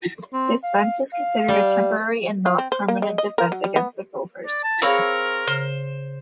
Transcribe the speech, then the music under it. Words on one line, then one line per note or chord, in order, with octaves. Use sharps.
This fence is considered a temporary and not permanent defense against the gophers.
C4
F5
F5
G3
F4
C4
C5
A#3
G#3
D#5
A#4
F#3
G3
B3
D5
A5
C4 G#4 A#4 C#5 F5 B5
C#3 C5